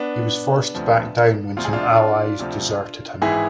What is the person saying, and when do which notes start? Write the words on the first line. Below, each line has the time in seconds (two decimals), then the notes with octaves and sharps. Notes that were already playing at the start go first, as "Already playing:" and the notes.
He was forced to back down when some allies deserted him.
Already playing: B3 D4
0.74 D2 C3 F3
1.57 D2 C3 F3 F4
1.65 G#4
1.73 D4 F4
2.39 D2 C3 F3
3.22 G#1 G#2 E3 E4 G#4